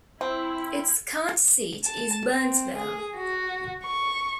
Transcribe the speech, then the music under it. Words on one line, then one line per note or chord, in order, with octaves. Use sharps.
Its county seat is Burnsville.
C4 E4
A5
C4
G#4
F#4
C#6